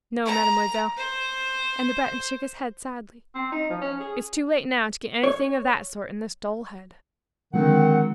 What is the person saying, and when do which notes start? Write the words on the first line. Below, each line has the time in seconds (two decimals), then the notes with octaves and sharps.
"No, Mademoiselle," and the Breton shook his head sadly, "It's too late now to get anything of that sort in this dull head."
0.25 A#5
0.97 C5
3.35 C4
3.52 D#4
3.70 F3
3.81 C#4
4.00 G#4
5.23 C#5
7.54 D3 D#3 F3 G#3 C4 F#5